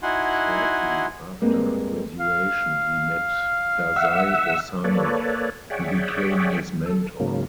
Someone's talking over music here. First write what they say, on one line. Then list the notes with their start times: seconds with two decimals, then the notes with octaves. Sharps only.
Shortly after graduation, he met Dazai Osamu, who became his mentor.
0.03 D#4 E4 F#4 F#5 G#5 C6
1.41 G2 G#3 A#3 C4
2.20 F5
3.96 E5 F#5 E6
4.84 A#3 A4 B4 C#5 D5
5.70 G#4 C#5 D5 E5 F#5 G5
6.86 A4
7.20 G#2 C#3 F#3 A#3